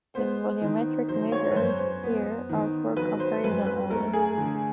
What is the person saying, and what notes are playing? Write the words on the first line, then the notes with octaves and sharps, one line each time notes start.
The volumetric measures here are for comparison only.
B3 C5
D#3
F#3 C5
C#5
B4
F#2 C5
C5
B3
D#3
F#3 B4
C5
F#2 B4
B4
A3 A#4
G#4
D3